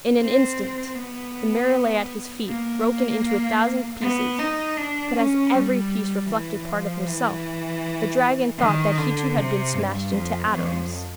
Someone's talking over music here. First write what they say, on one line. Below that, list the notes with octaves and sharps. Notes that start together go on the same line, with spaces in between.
In an instant the mirror lay at his feet broken into a thousand pieces, but as every piece reflected part of himself, the dragon thought that he too had been smashed into atoms.
C4
B3
A#3
B3
D#4
D4
C#4
G3
E3
F3
E3
D#3
D3
C3
G2
F2
F2